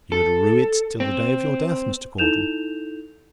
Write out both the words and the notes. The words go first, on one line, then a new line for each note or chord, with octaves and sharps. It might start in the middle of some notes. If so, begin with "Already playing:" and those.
You'd rue it till the day of your death, Mr. Caudle.
A4
C4
D#4 E4 A4 G6 E7 F7